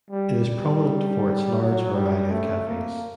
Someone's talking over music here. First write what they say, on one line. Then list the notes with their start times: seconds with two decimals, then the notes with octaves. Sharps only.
It is prominent for its large variety of cafes.
0.10 G3
0.47 G3
1.58 F#3
1.94 G3
2.31 A3
2.67 A#3